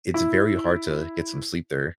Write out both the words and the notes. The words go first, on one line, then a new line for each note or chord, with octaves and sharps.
it's very hard to get some sleep there.
E4